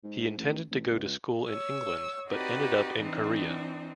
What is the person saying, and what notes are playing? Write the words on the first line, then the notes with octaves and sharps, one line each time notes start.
He intended to go to school in England but ended up in Korea.
G#2
A1
A1
C#2
C#5 E6
C4 D#4 F#4 G4 B4 D5
E3 C4 D4 D#4